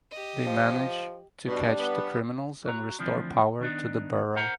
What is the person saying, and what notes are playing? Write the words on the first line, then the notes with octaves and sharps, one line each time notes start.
They manage to catch the criminals and restore power to the borough.
G4 D#5
F3
B2 G3 D4
B3
F#4 A#5
D2 G2 E3 F3 C4 D4
D#3 B3 D4 D#4
A#4 C5 F#5 A#5